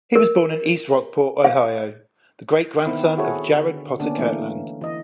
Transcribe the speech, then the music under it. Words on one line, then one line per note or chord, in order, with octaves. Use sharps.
He was born in East Rockport, Ohio, the great-grandson of Jared Potter Kirtland.
A#4
F5
D#3 B3 C4 E4
E4 F#4 G#4 A4 C#5
D3
D3 A#3 B3 C#4 D4
E3 A3 A#3
E3 D#5